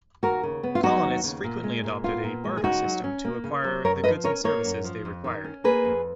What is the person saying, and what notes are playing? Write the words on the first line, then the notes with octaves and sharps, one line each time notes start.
Colonists frequently adopted a barter system to acquire the goods and services they required.
D#2 F#4 A#4
C#3
B3
F4
F#3 D#4 F#4
D#2
C#3
A#2
G#3
A#2
B3 F4
A#2
G#3
G#4
C#3 D#4 F#4
F#3
C#4
A#3
C#3
F#3
F#2 A#4 C#5
F3 B4 D#5
C#4 A#4 C#5
A#3 A#4 C#5
F#2
F3
F2
D#3
C#4
A#3 G#4 B4
F2